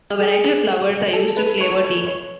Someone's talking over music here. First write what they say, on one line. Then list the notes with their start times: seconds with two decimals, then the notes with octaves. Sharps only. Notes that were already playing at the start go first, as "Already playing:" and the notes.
A variety of flowers are used to flavour teas.
0.21 G#4
1.13 A4
1.37 B4
1.61 C#5
1.83 C#5
2.07 C#5